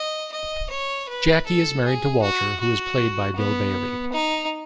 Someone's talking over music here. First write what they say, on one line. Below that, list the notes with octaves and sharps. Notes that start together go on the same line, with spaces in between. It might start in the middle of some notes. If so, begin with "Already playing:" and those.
Jackie is married to Walter who is played by Bill Bailey.
Already playing: D#5
D#5
C#5
B4
A4
G#4
F#4
F#4
B3
D#4